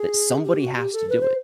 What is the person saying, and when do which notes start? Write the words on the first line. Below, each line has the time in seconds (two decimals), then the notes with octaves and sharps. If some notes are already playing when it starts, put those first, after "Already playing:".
that somebody has to do it.
Already playing: G#4
0.44 G4
0.61 F#4
0.76 G4
0.92 A4
1.09 B4
1.21 C5